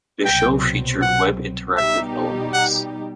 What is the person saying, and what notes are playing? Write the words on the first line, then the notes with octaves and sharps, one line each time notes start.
The show featured web-interactive elements.
C2 B2 F#3 C4 G5
F#5
B2 G3 D#4 G4 E5
F#5